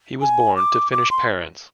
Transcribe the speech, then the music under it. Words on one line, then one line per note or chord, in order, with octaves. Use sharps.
He was born to Finnish parents.
G#5
D6
D6
C6